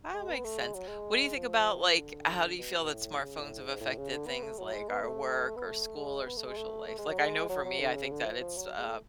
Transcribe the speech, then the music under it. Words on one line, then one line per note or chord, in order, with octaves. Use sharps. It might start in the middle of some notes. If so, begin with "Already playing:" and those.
That makes sense. What do you think about, like how do you feel that smartphones have affected things like our work, or school, or social life? Like, I know for me, I think that it's a
G#3
B3
A3
G#3
F#3
G#3
F3
D3
B2
B2
A2
C#3
A2
G#2
A2
C#3
D3
B3
A3
F#3
G#3
B3
A3
B3
A3
G#3
B3
A3
G#3
A3
A3
G#3
F#3
G#3
F#3
F#3
D3
C#3
D3
F3
F3
F#3
G#3
A3